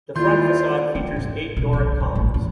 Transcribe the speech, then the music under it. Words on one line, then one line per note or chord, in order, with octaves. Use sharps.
The front facade features eight Doric columns.
D#3 A#3 E4 F4 D5 C6 G6
C4
G#2
B1
D3
G2
A1
E2